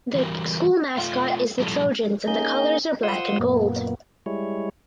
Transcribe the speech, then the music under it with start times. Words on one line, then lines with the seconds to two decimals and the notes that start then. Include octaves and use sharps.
The school mascot is the Trojans and the colors are black and gold.
0.15 E3 G3 F#4 A#4
0.97 A3 F4 F5
1.60 A#2 F3 G3 E4 G4 A4
2.27 A#3 C#4 D#4 G#4 D#5 G6
3.03 F4 C5 F#5 C6 D#6 E6
3.39 F#2 A#2 A#3 B3
4.26 G3 G#3 E4 C#5